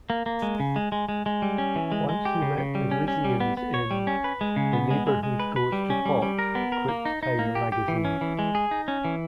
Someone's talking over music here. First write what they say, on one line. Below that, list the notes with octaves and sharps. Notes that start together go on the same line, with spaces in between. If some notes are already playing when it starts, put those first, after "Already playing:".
"Once you let the Wisians in, the neighborhood goes to pot," quipped "Time Magazine".
A#3
A#3
G#3
C#3
G#3
G#3
G#3
G#3
G3
C#4
E3
G#3
G#3
G4
C#3
C#3
G3
C#4
C#4
G3
B3
B3
C#5
G3
C#4
B4
G#3
C#3
B3
G#3
G#3
G#3
B4
B4
G3
C#4
G3
G3
A#4
B3
A#4
A#3
D#4
D#4
A#3
G4
G4
E3
C#4
E3
G#3
G#4
D#4
C#4
E3